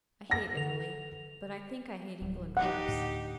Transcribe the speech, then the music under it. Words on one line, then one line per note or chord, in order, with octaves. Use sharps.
I hate Italy, but I think I hate England worse.
F#5 A#6
D3 F7
D1 F#3
D#4 G4 F#5
D2 A2